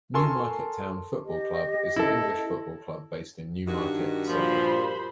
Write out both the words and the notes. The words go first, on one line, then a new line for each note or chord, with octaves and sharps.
Newmarket Town Football Club is an English football club based in Newmarket, Suffolk.
A4 A#4 G#5 A5 C6 C#6
G4 D#5
E4 A4
G2 D#3 F#4
A#2 F3 C5 B5